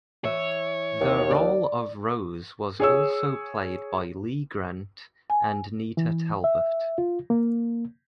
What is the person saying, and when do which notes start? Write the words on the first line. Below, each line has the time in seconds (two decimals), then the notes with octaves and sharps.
The role of Rose was also played by Lee Grant and Nita Talbot.
0.24 E3 C#5 E5
1.00 D#2
1.30 D5
2.80 G#4 C#5 E6
5.30 G#5
5.97 E3
6.44 E5
6.98 F4
7.30 A#3